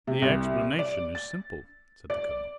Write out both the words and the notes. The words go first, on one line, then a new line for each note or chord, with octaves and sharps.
"The explanation is simple," said the colonel.
C3
C2
D5
A6
D5